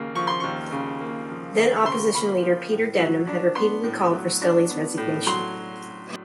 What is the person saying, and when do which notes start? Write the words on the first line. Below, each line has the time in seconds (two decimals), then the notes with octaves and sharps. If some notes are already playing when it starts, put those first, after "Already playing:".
Then Opposition leader Peter Debnam had repeatedly called for Scully's resignation.
Already playing: D#2 C#3 A#3
0.15 F3 C#6
0.27 C6
0.40 D#2 C#6
0.71 C#3
1.00 A#3
1.29 F3
1.57 D#2
1.76 C#6
1.85 C#3 C6
2.14 A#3 B5
2.42 F3
2.71 A2
2.99 F#3
3.27 D4
3.55 B3 C6
3.84 A2
4.13 F#3
4.42 D4
4.70 B3
4.98 A2
5.26 F#3 C6